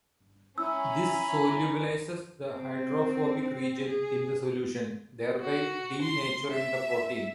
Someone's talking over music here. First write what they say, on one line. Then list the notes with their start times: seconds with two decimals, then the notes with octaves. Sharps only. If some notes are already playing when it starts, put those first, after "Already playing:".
This solubilises the hydrophobic region in the solution, thereby denaturing the protein.
0.58 C#4 E4 G#5 A#5 B5 E6
2.52 C4
3.87 G#4
5.39 F#4
6.02 C6
6.50 E5